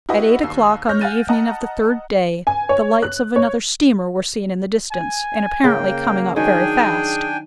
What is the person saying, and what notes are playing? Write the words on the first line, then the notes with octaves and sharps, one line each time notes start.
At eight o'clock on the evening of the third day, the lights of another steamer were seen in the distance, and apparently coming up very fast.
E4 F#4 G4 B4 D#5
D#2 E6 C7
C#5 F6 G6 A#6
F5 F#5 G#5 F#6 A6 D#7
D#5 F#5 A5 A#5
G#5
C#5
F#6
C#5
G#5
C#3 A#3 G5
D#3 F#3 D4 G#4 G5 G#5